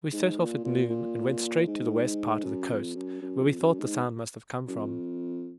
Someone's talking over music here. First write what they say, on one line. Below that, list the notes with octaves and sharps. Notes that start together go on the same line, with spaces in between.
We set off at noon, and went straight to the west part of the coast, where we thought the sound must have come from.
G#2
A#2
A#2
A#2
G#2
F#2
F2
F#2
F#2
F2
F#2
G#2
F#2
F2